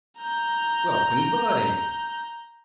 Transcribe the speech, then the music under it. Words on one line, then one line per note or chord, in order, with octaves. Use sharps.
We'll convert him!
A#5 G6